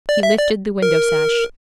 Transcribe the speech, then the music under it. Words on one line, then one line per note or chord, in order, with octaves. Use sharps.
He lifted the window-sash.
D5
E5
D5
A#4